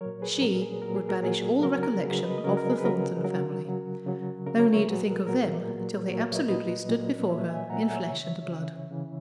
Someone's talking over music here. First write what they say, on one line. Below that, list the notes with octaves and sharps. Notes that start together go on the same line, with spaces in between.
She would banish all recollection of the Thornton family,--no need to think of them till they absolutely stood before her in flesh and blood.
A#2 F#3 A#4 C#5
G#4 B4
A#2 F#3 A#4
G#4
A#2 F#3 A#4
G#4
A#4
A#2 F#3 G#4
C#3 F#3 A#4
A#4
C#3 F#3 G#4 B4
B4 D#5
D#5
C#3 F#3 A#4 C#5
A#4
G#4
B4
C#3 F#3 A#4
C#3 F#3 A#4
C#3 F#3
C#3 F#3
C#3 F#3 A#4
A#4 C#5
C#5 E5
A#2 F#3 G#4 B4
A#4
A#2 F#3 A#4
A#2 F#3
A#2 F#3 A#4 C#5
C#5 E5
B4 D#5
A#2 F#3 B4 D#5
A#2 F#3
A#2 F#3 C#5 E5
E5 G#5
A#2 F#3 F#5 A#5
E5 G#5
C#5 E5
C#3 E3
C#3 E3
C#3 E3